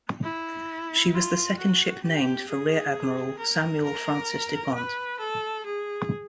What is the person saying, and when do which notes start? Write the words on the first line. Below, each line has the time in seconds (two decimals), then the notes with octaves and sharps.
She was the second ship named for Rear Admiral Samuel Francis Du Pont.
0.23 E4
1.13 F4
1.58 F#4
2.03 G4
2.49 G#4
3.39 A#4
3.84 A#4
4.74 B4
5.20 A4
5.65 G#4